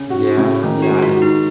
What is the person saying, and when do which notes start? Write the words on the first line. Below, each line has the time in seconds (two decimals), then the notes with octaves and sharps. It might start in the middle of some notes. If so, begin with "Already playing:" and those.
Yeah, yeah, and
Already playing: C#3 C#4
0.10 F#4
0.38 C#3
0.63 D#3 C#4
0.82 F#4
0.90 G#3
1.02 F4
1.16 F#4
1.22 D#4